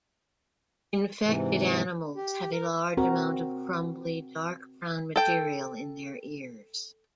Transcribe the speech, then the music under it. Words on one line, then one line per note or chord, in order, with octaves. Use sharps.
Infected animals have a large amount of crumbly dark brown material in their ears.
G#2 C3 E3
G4
A#4
C4 F#4 A#4
A4 G5